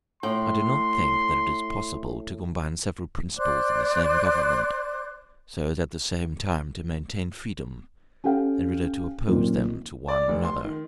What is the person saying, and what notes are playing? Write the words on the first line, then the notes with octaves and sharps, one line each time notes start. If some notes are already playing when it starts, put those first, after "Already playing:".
I do not think that it is possible to combine several principles in the same government, so as at the same time to maintain freedom, and really to oppose them to one another.
A2 C6
C5 D5 D6 F#6
C#4 G4 A4 F5 G5
F#2 A#2 D#3 C4 F4
D5
F1
C6
D#3